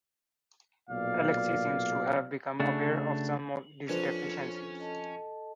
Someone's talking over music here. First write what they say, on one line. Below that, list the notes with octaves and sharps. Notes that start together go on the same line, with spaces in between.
Alexei seems to have become aware of some these deficiencies.
B1 A#2 D5 F5
C#3 A3 D4 F#4
F2 F3 C#4 D4 B4 C5
A4 D#5 A5